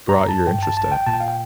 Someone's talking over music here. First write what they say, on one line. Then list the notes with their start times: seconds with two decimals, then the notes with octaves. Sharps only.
brought your interest in it?
0.09 A#5
0.19 F2
0.28 A5
0.47 G2 G5
0.63 A5
0.77 A1 A5
0.92 G5
1.07 A#2 A5
1.14 G5
1.20 F5
1.28 G5